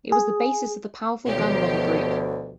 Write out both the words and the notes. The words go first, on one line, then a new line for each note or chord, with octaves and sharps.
It was the basis of the powerful gun lobby group.
G#4
D2 B2 D#3 F3 G4 C#5